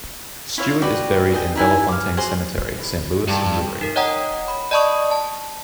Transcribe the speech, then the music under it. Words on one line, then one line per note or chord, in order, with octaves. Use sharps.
Stewart is buried in Bellefontaine Cemetery, Saint Louis, Missouri.
E4 F4 C#5
F#4 B4 D5 G5
G#4 D#5 G5
D#4 E4 G#5
F5 D6
F#4 G#4 C5 C6
E3
G2 A5 A#5
D#4 A#4
C#5 D#5 F#5 G5 A#5 D#6
B5
D5 D#5 A5 B5 C#6 D#6
A5